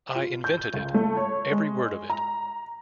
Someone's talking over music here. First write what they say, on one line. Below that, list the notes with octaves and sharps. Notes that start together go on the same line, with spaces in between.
I invented it — every word of it.
F4
G6
C#2
A3
C#5
G#3
A#5